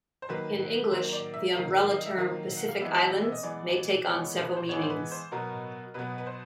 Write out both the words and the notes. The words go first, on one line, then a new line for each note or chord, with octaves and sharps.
In English, the umbrella term "Pacific Islands" may take on several meanings.
C5
D#3 F#3 A#3 B4
D#3 F#3 A#3 C5
D5
E5
D#3 F#3 A#3 F5
D5
D#5
E5
D#3 F#3 A#3 F5
F#5
F5
E3 G#3 B3 E5
E5
D#5
E3 G#3 B3 D5
E3 G#3 B3 C#5
B4
C5
E3 G#3 B3 C#5
C5
B4
C5
B2 F#3 B3 A#4
B2 F#3 B3 B4
B4
C5